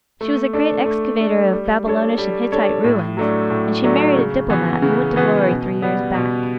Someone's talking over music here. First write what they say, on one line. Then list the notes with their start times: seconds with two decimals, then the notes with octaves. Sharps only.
She was a great excavator of Babylonish and Hittite ruins, and she married a diplomat who went to glory three years back.
0.21 A3
0.53 D4 A4
0.86 A3
1.20 D4 A4
1.52 G3
1.86 D4 A4 C#5
2.18 G3
2.52 D4 A4 C#5
2.84 A2
3.17 F#3 A3 D4
3.50 A2
3.84 F#3 A3 D4
4.16 C#3
4.50 E3 B3 F#4
4.82 C#3
5.16 E3 B3 F#4
5.49 B2
5.82 G3 B3
6.14 B2